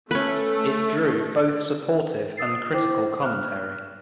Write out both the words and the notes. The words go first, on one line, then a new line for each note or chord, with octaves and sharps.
It drew both supportive and critical commentary.
A3 C#4 B4
D#6 E6 A6 C7
E4 C5 G5 D6
F6 F#6